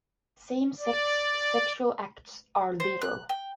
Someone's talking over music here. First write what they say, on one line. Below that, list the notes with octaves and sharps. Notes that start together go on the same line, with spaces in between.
Same-sex sexual acts are legal.
D5
C5
F#6
G5